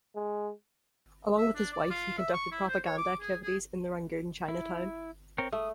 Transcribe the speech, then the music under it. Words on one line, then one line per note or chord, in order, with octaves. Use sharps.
Along with his wife he conducted propaganda activities in the Rangoon Chinatown.
G#3
E5
D4
D5
F4
E5
C#6
E4
C5
C#5
D6
G#4
G#4
E4
C4 A#4 C#5
A3 D#6